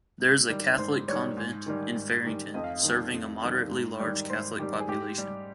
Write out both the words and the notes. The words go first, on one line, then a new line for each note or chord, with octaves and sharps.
There is a Catholic convent in Farington, serving a moderately large Catholic population.
G#2
D#3 G3
G#2 C5
D#3 G3 C#5
G#2
D#3 G3
G#2
D#3 G3
F2 D#5
F5
D#5
D#3 G3
F2
D#3 G3
G#2
D#3 G3
G#2 C5
D#3 G3 G4
G#4
G#2 G4
G3